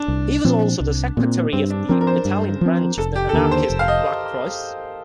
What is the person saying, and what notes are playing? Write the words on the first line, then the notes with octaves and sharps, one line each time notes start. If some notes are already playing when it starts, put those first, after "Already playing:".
He was also the secretary of the Italian branch of the Anarchist Black Cross.
Already playing: D4
C2
A#2 F3 C4
C2
A#2 F3 C4
G2 C4
D4
F3 C4 A#4
A#4
C5
G2
F3 C4
F1 A4
G4
A4
D#2 D3 A#4
C5
F1
F5
D#5